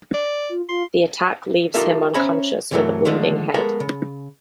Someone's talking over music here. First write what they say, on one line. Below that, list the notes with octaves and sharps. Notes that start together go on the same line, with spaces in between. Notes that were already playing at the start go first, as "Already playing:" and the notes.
The attack leaves him unconscious with a bleeding head.
D5
F4
F4 C6
D#4 F4 G4 A4 A#4 E5
C#4 C5 C#5 E5 A#5 B5
C2 G2 E3 F#3 A3 A#4
D3 D#3 F3 G#3 A3
G#3 B3 A4 A#4
C#3